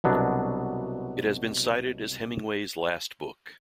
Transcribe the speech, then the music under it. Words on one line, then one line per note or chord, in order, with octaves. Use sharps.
It has been cited as Hemingway's last book.
C2 B2 F#3 B3 D4